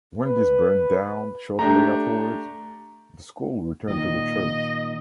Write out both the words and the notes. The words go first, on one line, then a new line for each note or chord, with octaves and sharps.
When this burnt down shortly afterwards, the school returned to the church.
B4
A3 D4 G4 A#5
A#2 D#3 D#5